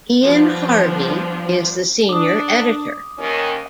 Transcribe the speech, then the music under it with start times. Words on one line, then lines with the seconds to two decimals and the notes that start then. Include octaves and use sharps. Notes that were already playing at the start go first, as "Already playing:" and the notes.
Ian Harvey is the Senior Editor.
0.23 F3 G3 B3 C4 D4 F4
2.09 D4 D6 D#6
3.18 D#2 D#3 C#4